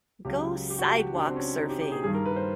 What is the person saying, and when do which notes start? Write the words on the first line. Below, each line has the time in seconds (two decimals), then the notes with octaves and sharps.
Go Sidewalk Surfing!
0.25 C#2 C#3 F#3 G4
0.70 G4
0.79 F#4
0.87 G4
1.15 D4
1.25 C4
1.36 C#4
1.59 D#4
1.70 G4
1.81 G4
1.92 G#4
2.04 G2 D#3 G3 G#4
2.14 A#4
2.25 B4
2.36 C5